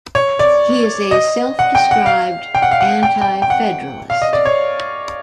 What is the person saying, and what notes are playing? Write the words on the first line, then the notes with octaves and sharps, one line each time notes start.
He is a self-described Anti-Federalist.
C#5
D5
D#5
F#5
G5
F#5
F5
G5
F#5
F5
F#5
G5
G5
G5
F#5
F5
D#5
D5
C#5